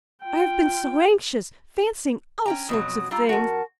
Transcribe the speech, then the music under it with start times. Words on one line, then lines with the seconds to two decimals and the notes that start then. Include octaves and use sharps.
I have been so anxious, fancying all sorts of things.
0.24 F4 G5
2.46 C#4 G5 A#5
2.69 F2 B2 F#3 D#6
3.11 G3 F4 A#5 E6
3.29 F2 F#4 A#4 F#5 A5